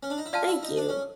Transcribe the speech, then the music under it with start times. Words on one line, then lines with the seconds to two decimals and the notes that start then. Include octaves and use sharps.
Thank you.
0.03 C#4
0.10 D4
0.18 D#4
0.26 E4
0.33 F4 D5 F5 A5
0.48 E4
0.63 D#4
0.77 D4
0.89 C#4